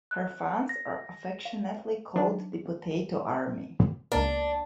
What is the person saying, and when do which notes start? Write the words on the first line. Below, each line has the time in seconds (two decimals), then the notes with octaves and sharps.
Her fans are affectionately called the Potato Army.
0.11 F#6
0.69 A#6
1.45 F5
2.16 D#3 F#3 D4
4.12 C#2 A#3 D4